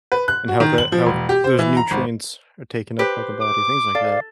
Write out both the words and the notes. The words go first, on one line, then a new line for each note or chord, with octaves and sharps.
and how that how those nutrients are taken up by the body, things like that.
B4
F#6
F#4
D#3
F#7
F3
E1
G4
C5
E3
A#5
G#1
G4 B4 C5
D6
A4 D5 F5